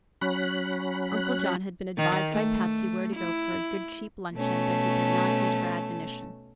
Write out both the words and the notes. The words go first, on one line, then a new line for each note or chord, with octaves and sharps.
Uncle John had been advised by Patsy where to go for a good cheap luncheon; but he did not heed her admonition.
F#3 C#4 B5 F#6
D#3
A3
E4
B2 A3 C#4 A5